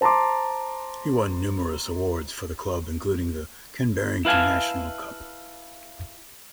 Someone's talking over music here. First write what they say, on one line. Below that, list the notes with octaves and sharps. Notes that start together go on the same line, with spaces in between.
He won numerous awards for the club including the Ken Barrington National Cup.
C5 A5 A#5 C6 D6
E4 B4 F5 G#5 A5